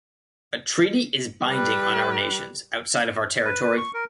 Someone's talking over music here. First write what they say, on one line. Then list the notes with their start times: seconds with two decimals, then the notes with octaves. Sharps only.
A treaty is binding on our nations outside of our territory.
1.47 G3 B4
3.45 B4
3.62 B4
3.77 C#6
3.94 A#4